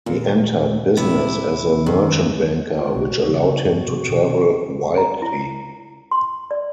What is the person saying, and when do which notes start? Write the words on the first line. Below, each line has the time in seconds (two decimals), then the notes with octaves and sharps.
He entered business as a merchant banker, which allowed him to travel widely.
0.06 D#2 A#2
0.97 C3 E4
1.86 F#2 D#3
2.77 F4
2.94 B1 F#4
3.27 C#3 G3
3.65 G2 F#4
3.87 C3
4.09 B2 D#3
4.98 A#5
5.22 E4
6.11 C6
6.51 D5